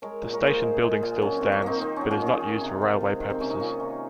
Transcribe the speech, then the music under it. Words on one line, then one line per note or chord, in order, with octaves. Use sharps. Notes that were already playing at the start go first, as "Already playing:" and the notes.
The station building still stands, but is not used for railway purposes.
G#3 A#4 C#5
A#2
A#4 C#5
A#2 G#4 C5
G#3
G#3
A#2
F#3 C#4
D#3 C4
C#4
A#3 C4 D#4
D#3 C4
F#3 C#4
C#4 F4
D#3
F4 G#4
D#3
C3
G#3
C3
D#3
C4
C3 C#4
D#4
A#3 C#4 F4
D#3